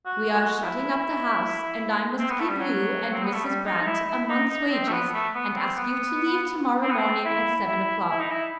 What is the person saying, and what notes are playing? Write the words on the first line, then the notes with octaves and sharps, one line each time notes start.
We are shutting up the house, and I must give you and Mrs. Brant a month's wages and ask you to leave to-morrow morning at seven o'clock.
F#4
F#4
E4
C4
B3
A3
G3
F#3
C4
B3
A3
G3
D#4
D#4
E4
E4
D#4
D#4
C4
A3
B3
A3
B3
C4
B3
C4
B3
C4
E4
E4
E4
D#4
E4